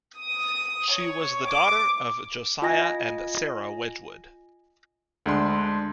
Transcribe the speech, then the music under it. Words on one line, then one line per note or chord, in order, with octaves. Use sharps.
She was the daughter of Josiah and Sarah Wedgewood.
D#6
C#5
D6
F4 D#5 G#5 A#6
D2 G#3 D4 B5 C6